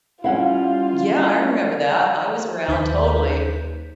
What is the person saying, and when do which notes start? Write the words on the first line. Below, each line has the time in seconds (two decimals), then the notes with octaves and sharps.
Yeah, I remember that, I was around, totally.
0.24 G3 C#4 E4 F4 F5 F#5
2.68 D#2 D#4 B4 C5 G6 B6